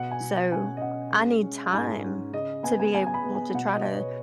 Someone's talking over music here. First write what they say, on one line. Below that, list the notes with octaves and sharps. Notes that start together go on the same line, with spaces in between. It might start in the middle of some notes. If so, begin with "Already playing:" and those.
so I need time to be able to try to
Already playing: B2 B3 F#5
G#5
B2
C#4 G#5
D#5
C#4 F#5
G#3
C#4
G#2 G#5
C#4
C#3 D#5
B3 G#5
G#5
B3 G#5
G#5
B5
B3
G#5
B2 F#5
D#5
B3
B4
C#5